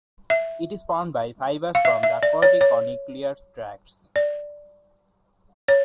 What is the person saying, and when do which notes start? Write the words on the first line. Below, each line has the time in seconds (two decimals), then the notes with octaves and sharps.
It is formed by fibers from the corticonuclear tracts.
0.30 E5
1.75 F5
1.85 E5
2.03 E5
2.23 D5
2.42 C#5
2.61 C#5
4.16 D5
5.68 C#5